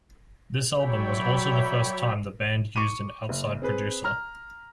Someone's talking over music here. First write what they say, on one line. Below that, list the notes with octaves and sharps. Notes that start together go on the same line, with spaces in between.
This album was also the first time the band used an outside producer.
F#3 C#5 D5 E5 G5 B5
C#6 D6 D#7
F#1
C4 G#4 B4
A#5 F6